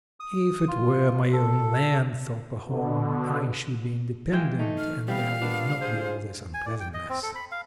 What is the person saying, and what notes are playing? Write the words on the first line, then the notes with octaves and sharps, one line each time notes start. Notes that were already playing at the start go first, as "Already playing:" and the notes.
"If it were my own land," thought Pahom, "I should be independent, and there would not be all this unpleasantness."
D#6
F4
A4
B2 D3
E3 G#3 F5 G5
A3 D#4
F6
E3 G3 B3 C4 F5
D#3 B3 D4 F4
F4 G#4 C5
G#5
D5
G5
D#5
C4
A4
B5
F5